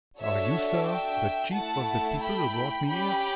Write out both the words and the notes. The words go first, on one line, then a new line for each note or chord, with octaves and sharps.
"Are you, sir, the chief of the people who brought me here?"
D4 F#4 A4 C#5 E5
E5 G5
A3 E4 A4 F#5 A5
G5 B5
C#4 G4 G5 B5